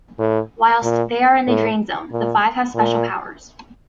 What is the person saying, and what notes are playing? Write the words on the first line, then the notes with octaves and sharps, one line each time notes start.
Whilst they are in the Dream Zone, the five have special powers.
A2
A#2
A2
A#2
A#2